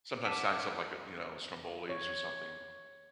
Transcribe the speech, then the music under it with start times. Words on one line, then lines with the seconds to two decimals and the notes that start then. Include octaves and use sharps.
sometimes Italian stuff like, uh, you know, strombolis or something.
0.25 F#5 A5 D6 B6 D#7 E7
1.89 C#5